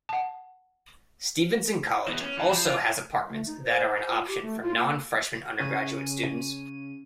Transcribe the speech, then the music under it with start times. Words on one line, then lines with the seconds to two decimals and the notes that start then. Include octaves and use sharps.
Stevenson College also has apartments that are an option for non-freshman undergraduate students.
0.09 F#5 A5
2.07 E3 B3
2.21 C#4
2.37 E3
2.50 F3
2.65 F4
3.30 A3
3.47 D#4
3.63 C5
3.96 C5
4.11 F4
4.28 G4
4.42 A3
4.62 F4
4.75 A#3
5.59 C#3 C#4 D#7